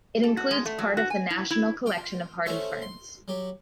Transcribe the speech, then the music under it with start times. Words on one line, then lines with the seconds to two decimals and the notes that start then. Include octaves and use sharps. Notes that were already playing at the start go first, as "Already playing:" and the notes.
It includes part of the National Collection of hardy ferns.
0.23 A4
0.37 F#4
0.51 G#3
0.66 A3
0.79 F#3
0.97 F#4
1.10 G#5
1.30 E4
1.50 E4
1.86 F4 G5
2.46 A3 C#4 C5 C#5 E5
2.82 C6
3.28 F#3 G4